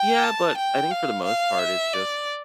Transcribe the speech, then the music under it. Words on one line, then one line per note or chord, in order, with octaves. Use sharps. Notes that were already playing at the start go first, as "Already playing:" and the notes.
Yeah, but I think for the most part, it's just
Already playing: G5
A5
G5
F5
F5
E5
D5